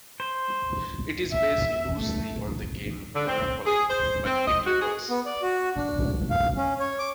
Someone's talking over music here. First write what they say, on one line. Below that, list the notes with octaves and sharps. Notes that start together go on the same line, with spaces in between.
It is based loosely on the game Monopoly, but in reverse.
C5
E5
A3
D3
C4
G#4
C5
C4
D#5
F#4
G#4
B3
D5
F#4
D4
F5
C#4
C#5
D6